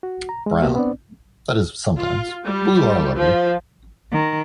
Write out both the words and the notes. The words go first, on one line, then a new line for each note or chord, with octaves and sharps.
Brown — that is, sometimes; blue are lovely.
F#4
A#5
G#3
A#3 B3 F#4 G4
B3 C4 D4 D5
F4
G3
F3
D#3